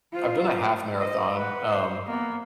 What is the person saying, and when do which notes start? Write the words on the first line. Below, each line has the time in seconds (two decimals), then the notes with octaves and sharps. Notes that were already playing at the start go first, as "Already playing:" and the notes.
I've done a half marathon, um,
0.13 F4 C5
0.97 C5 D#5
1.35 B4 F#5
1.69 C5
2.07 A#3 B3